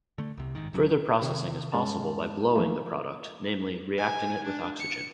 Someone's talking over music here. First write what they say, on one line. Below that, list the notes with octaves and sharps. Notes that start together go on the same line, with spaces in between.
Further processing is possible by "blowing" the product: namely reacting it with oxygen.
D3 A3
C2 C3
G1 G#2 D#3
D#1 F#3 C#4 D4
C3 D#3
G2 G#3 C#4 A5
E3 F3 A3 A#3
G#5
D4
C#7